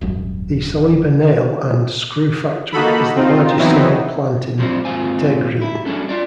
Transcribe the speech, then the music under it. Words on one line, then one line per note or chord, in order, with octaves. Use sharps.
The Saliba Nail and Screw factory is the largest single plant in Bteghrine.
D#1 G#1 F#2
A#3 D#4 F#4 A4 B5
C4 D#4 F4
E3 F#3 B3 C4 D#4 E4
F#2 C3 F3 G3 C4 D4
D#2 G#2 C4 F4 G#5
E4
G3 C#4 D4 A4
F4 D5